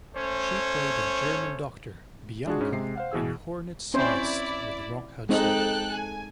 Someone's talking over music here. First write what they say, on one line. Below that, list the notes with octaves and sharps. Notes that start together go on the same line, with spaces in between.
She played a German doctor, Bianca, in "Hornets' Nest" with Rock Hudson.
A3 C#4 C5 C#5
G#3 D4 F4 F#4 G#4
G#2 C#4 G#4
C3 G#3 C7
C5 F5 F#5
B2 E3 G#4 E6
C4 C#4 E4 C5 D5
G#3 C4 D#4 A4 G5 F#6
G#5